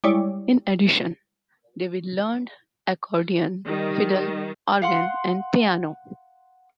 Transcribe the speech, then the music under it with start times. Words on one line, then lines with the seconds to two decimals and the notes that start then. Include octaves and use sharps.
In addition, David learned accordion, fiddle, organ, and piano.
0.04 G3 G#3 E4 C#5 D5
3.66 D#3 G3
4.82 F5 F#5 C6